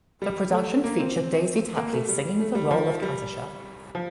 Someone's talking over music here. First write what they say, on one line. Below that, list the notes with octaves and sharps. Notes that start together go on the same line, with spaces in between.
The production featured Daisy Tapley singing the role of "Katisha".
G3
A3
A#3
C4
A#3
A3
G3
A3
G3
F3
G3
F3